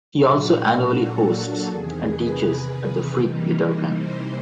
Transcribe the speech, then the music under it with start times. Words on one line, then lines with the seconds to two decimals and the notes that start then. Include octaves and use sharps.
He also annually hosts and teaches at the Freak Guitar Camp.
0.23 A#2 F#3 A#3 D4 F#4
0.97 A4
1.70 E2 C3 D#3 G#4
2.08 B4
2.81 B4
3.17 C3 E3 G3 A#3 D#4
3.92 C5